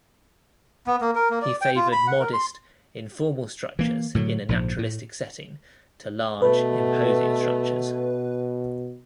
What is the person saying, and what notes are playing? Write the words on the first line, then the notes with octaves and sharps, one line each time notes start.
He favored modest, informal structures in a naturalistic setting to large, imposing structures.
B3
A#3
A#4
A#3
D5
G5
F4
B5
F#5
A#4
C6
E3 A#3
A2 D3 E3 F#3
A#1 G#2 F3
A2
B2 A3 B4